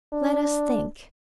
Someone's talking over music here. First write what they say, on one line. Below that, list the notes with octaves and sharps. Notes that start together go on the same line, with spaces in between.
Let us think.
D4